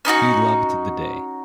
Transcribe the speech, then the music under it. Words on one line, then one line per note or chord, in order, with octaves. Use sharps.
He loved the day.
C#4 D#4 E4 F#4